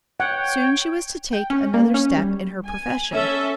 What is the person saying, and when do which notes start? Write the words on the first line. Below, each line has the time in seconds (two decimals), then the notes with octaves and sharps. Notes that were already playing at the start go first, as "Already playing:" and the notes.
Soon she was to take another step in her profession.
0.20 C#5 F#5 G5
1.33 G5
1.50 C#4
1.74 A#3
1.94 C#4
2.17 G3
2.67 G#5
3.12 C#4 A4 E5